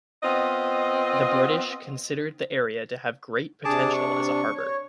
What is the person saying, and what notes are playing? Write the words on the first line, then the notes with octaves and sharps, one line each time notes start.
The British considered the area to have great potential as a harbour.
B3 C4 F4 D#5
C3 D4 G#4 A5 D6
C#6
C#5